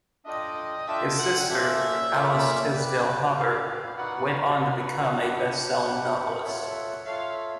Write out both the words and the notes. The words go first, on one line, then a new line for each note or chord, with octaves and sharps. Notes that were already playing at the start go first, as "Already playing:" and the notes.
His sister, Alice Tisdale Hobart, went on to become a bestselling novelist.
D4 F4 A4 D5 D#5 G5
D4 F4 A4 D5 E5 G5
F#5
A#3 C#4 F4 A4 D5 E5
A#3 C#4 F4 A4 D5
G4 B4 D5
G4 B4 D5 F5
D#4 F#4 B4 D5 F#5
F5
D#4 F#4 B4 D5 F#5
B3 D4 G4 B4
B3 D4 G4 B4 F#5
F4 A4 C#5 E5
F4 A4 C#5 E5 F5